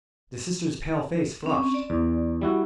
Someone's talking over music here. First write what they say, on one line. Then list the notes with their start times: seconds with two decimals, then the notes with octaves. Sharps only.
The sister's pale face flushed.
1.43 C4 C#4
1.74 D5
1.90 E2
2.41 G3 E4 F#4